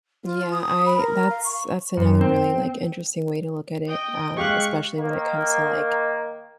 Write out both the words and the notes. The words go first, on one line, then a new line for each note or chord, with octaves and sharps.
Yeah, I that's that's another really, like, interesting way to look at it, um, especially when it comes to, like,
F4
D#6
B5
A#4
F5
C#6
F#2
C4
D#5 G5
G#3 G4 F5 C#6 F#6
D#3 A#3